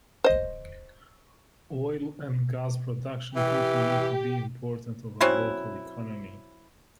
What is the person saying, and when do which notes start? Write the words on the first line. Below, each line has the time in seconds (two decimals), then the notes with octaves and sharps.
Oil and gas production continue to be important to the local economy.
0.24 C5 D#5
3.36 E3 G4
5.21 F#3 C4 C#4 E4